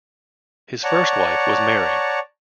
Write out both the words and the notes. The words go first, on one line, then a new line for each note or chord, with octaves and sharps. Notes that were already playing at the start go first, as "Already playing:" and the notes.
His first wife was Mary.
C#5 D5 F#5 A5 A#5 C#6